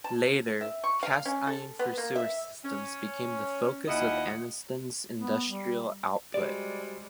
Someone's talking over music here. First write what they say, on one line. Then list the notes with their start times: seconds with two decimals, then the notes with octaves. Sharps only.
Later, cast iron for sewer systems became the focus of Anniston's industrial output.
0.04 A5
0.61 E5
0.84 C#6
1.03 F5
1.25 C#4
1.47 A4
1.79 B3
1.98 A#3
2.16 E5
2.65 C#4
3.88 D#2 E4 F4 D#5 F#5
5.20 B3
5.46 G3
6.34 G3 G#3 F#4 G4 C5 D5